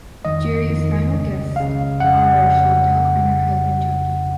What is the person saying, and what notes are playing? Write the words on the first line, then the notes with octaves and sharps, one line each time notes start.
Jerry's final guests are Shawntel and her husband, Chucky.
F2 D#3 D#5
F2 D#3
C#2 C#3
C#2 C#3 F5
F2 C#3 F#5
F2 C#3